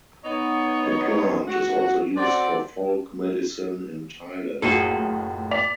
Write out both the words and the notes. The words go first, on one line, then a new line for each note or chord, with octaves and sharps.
The plant is also used for folk medicine in Thailand.
B3 D#4 C#5
F#4
C4 F#4 A4 D5
F#1 A2 F4 F#4 G#4 A4
D5 B6 F7